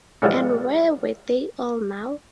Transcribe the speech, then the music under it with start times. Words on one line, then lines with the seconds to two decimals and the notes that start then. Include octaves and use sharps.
And where were they all now?
0.22 E3 F3 G3 G#3 C#4